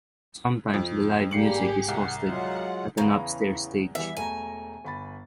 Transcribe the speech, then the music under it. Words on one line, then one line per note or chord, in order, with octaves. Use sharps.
Sometimes the live music is hosted at an upstairs stage.
F2
G#1 G3 A#3 G4 G#4 C7 C#7 F#7
C2 F#5
F#3 G#3 F4 F#5
E2 A2 C#3 E3 A#5
E2 E3 G3 E5
E1 A3 G#5 A#5
G1 B5 A6